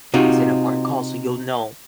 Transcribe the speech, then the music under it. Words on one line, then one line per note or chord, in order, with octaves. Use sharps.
It's an important call so you'll know
C3 D#4 F4 F#4